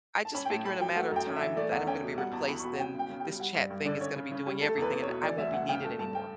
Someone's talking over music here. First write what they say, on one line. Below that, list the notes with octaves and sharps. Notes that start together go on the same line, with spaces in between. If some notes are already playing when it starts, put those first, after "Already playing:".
I just figure in a matter of time that I'm gonna be replaced, then this chat-thing is gonna be doing everything and I won't be needed anymore,"
A5
C#4 B5
G5
A2 A5
A2 B5
F#3 G5
A3 F#5
F#2 G5
C#4
E5
E3
A3 D5
E2 F#5
C#4 G5
B2
G3 F#5
E2 A5
E2 B5
C#6
B2 B5
F#5
C#4 G5
C#3 G5
C#3
G3 G5
G3 F#5
G2 D5
G2
D3 D5
C#4 C#5
C#3
C#3
G3
A3 A4
E2 B4
E2
C#5
B2
E3 D5
D2 E5
D2 F#5
C#3 G5
A3 A5
G2 A5
G5